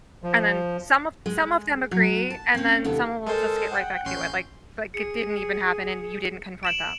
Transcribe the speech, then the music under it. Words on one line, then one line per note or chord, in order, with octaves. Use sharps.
And then some of some of them agree, and then someone will just get right back to it, like like it didn't even happen and you didn't confront them.
F3
G#3
F#3
A5
C4 C#4
D#2 C3 B3 A4
G#3 A4 A#4 C5
F#5 G5
A1 C#4 C6 G6
G#4 C#7
D7 E7 F#7